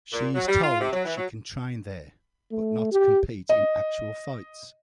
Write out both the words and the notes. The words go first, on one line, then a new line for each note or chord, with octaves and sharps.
She is told she can train there, but not compete in actual fights.
A#2
F#3
G3
F4
C3
F#3
E3
F#3
A3
G4
D#5